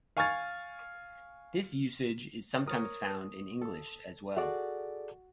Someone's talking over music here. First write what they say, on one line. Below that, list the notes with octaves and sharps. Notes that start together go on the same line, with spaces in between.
This usage is sometimes found in English as well.
F5 G#5 C#6 F6 G#6 A6
A#4 C#5 D#6
A4
F#4 G#4 A4 D5